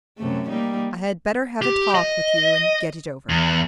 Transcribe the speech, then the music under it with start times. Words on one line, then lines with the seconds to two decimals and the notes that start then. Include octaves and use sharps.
"I had better have a talk with you and get it over."
0.18 F#2 C3 A3
0.49 G3 A#3 D#4
1.62 G4
1.95 D#5
3.30 E2